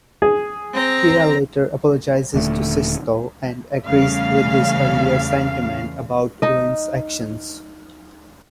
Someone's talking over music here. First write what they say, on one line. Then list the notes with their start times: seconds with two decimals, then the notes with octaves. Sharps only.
Kira later apologises to Sisko, and agrees with his earlier sentiment about Winn's actions.
0.22 G#4
0.73 C4 A#5
2.34 D#1 D3 A3
3.87 E2 C#3 G3 A3 F5
6.42 D#4 D#5